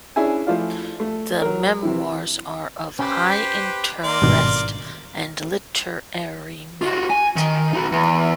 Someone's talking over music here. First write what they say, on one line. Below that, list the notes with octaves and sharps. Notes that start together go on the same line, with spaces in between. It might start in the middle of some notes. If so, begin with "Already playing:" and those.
The "Memoirs" are of high interest and literary merit.
C#4 D4 E4 G#4 E5 G#5
F3 A3 E4 F4 D5 F5
A3
F#3 A#4
C3 E3 E4
C#4 G4 B4 C5
A#3 D5 C6
G#1 G2 B2
F4 F#4
G#5
D#3
D#4 F#4
E2